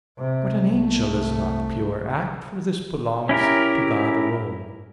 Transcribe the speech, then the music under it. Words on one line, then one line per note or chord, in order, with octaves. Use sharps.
But an angel is not pure act, for this belongs to God alone.
C3
C2 A3
C#4 E4 G4 A#4